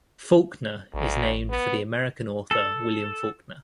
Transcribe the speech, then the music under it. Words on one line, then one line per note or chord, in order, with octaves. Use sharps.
Faulkner is named for the American author William Faulkner.
A1 D2
B3
A4